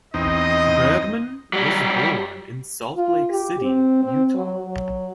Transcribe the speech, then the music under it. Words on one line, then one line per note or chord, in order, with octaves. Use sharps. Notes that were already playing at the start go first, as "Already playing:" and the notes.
Bergman was born in Salt Lake City, Utah.
E2 C4 D#4 D#5
F#3 G3
F4
G4
C4
C4
F#3
F#3